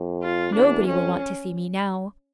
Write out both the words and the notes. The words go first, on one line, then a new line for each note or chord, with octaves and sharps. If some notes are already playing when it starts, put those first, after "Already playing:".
Nobody will want to see me now.
Already playing: F2
F4
E2 D4
F2 C#4